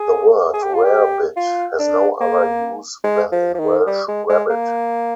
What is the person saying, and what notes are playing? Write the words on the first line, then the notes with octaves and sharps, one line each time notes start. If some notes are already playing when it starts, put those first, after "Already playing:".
The word "rarebit" has no other use than in Welsh rabbit.
Already playing: G#4
G#4
G4
F4
G4
F4
D4
A#3
G#3
F3
F3
D#3
G3
G#3
G#3
A#3